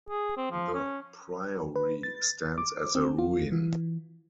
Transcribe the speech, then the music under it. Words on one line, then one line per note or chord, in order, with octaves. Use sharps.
The priory stands as a ruin.
G#4
C4
F3
C#4
B4
A6
D6
C4
F4
E3